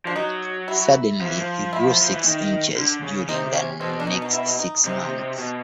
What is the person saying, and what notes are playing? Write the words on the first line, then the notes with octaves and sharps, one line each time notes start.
Suddenly, he grew six inches during the next six months.
F3 D4
F#3 D#4
E4
F3
E3
F3
E4
F3
E3
D#3
D3
C#3
C3 D#4
C#4
B2 C4
D4
D#4
D#4
E4
D#4
C3 D#4
C3
C3
B2